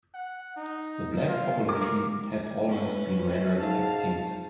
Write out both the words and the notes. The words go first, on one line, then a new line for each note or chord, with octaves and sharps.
The black population has almost been rendered extinct.
F#5
D#4
F4
A#4 D6
C#4 B4
G#2 F5 A5